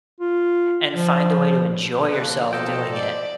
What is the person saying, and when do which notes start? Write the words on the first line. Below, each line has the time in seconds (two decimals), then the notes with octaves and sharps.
and find a way to enjoy yourself doing it
0.20 F4
0.94 F3
2.13 F3 A#3 B4
2.53 B2 A4 C5 D#5 G5
2.92 D5